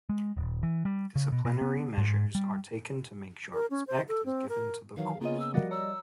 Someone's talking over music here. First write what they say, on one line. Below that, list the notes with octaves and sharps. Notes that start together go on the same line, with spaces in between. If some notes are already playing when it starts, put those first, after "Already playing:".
Disciplinary measure are taken to make sure respect is given to the course.
G#3
D#1
E3
G3
C#3
B2
B2
B3
G#2
G3
A#4
C#4
C5
A4
C4
A#4
D#3 E3 F#3 F5
C#3 A#3 B3 C#4 F4 D#5
E6
F3 G3 F#4 A#4 D5 D#5 F#5
C#5 A#5 E6